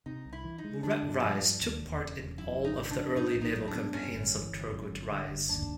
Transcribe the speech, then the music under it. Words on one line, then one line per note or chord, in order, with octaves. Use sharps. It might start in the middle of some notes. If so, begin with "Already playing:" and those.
Murat Reis took part in all of the early naval campaigns of Turgut Reis.
C3 D#4
C2
E4
E3
D#4
G#3
D3 D4
G2
F3
G2
D#2
E1
C#3
E1
F#2 E4
G#1
D#4
C#3
D4
F3
A2 D#4
A#1
D#4
F#3
D4
B3
G2 C#4
G1
E3
G1
F#2
G1
D3
G1
D#2 D4